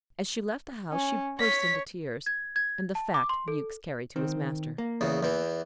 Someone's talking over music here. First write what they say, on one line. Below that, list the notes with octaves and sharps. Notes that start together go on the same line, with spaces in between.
As she left the house she burst into tears; and the fact Mewks carried to his master.
C#4
C#5 B6
G#6
G#6
A5
D6
C6
A4
D#3 C4
A#3
E2 C#3
E2 E3